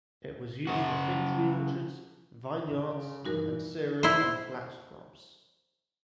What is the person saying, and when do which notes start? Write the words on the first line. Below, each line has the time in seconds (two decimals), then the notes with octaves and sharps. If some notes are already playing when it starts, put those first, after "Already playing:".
It was used for fig tree orchards, vineyards, and cereal and flax crops.
0.67 C#3 F#4
2.67 C#3
3.25 G2 E3 D#4 F#4 A#4
4.03 E4 C5